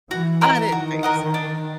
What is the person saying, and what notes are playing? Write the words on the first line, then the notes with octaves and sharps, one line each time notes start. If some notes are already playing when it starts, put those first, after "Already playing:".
I didn't think so.
E3 F#4
A#4 D#5 F#5
D#3 F#4
A#4 D#5 F#5
D4